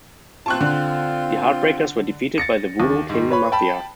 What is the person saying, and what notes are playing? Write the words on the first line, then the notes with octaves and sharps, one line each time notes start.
The Heartbreakers were defeated by the Voodoo Kin Mafia.
C4 F4 A5 C#6 F#6
D3
A6 A#6 C#7
D#2
G#2 D#3
B4 C#5 B5
G5 A5 B5